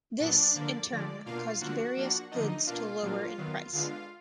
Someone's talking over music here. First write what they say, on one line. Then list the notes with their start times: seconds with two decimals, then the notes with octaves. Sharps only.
This, in turn, caused various goods to lower in price.
0.20 A#2 F#3 B3 D4 D5
0.55 D3 F3 A#3 D4
0.90 D3 F3 G#3
1.26 B2 A#3 D4 F4 F5
1.61 D3 F3 A#3 D4 F#4 F#5
1.96 F3 A#3 D4
2.31 D3 F3 A#3 D4 D#4 D#5
2.66 B2 A#3 D4 F4 F5
3.02 A#2 F#3 A#3 D4
3.37 D#3 F#3 B3
3.72 D3 G#3 B3 D4 F4 F5